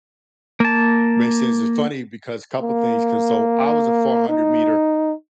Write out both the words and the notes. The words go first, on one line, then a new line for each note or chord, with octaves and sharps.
Makes sense. It's funny because- a couple things- 'cause so I was a four-hundred-meter
A#3 A5
A#3
D#4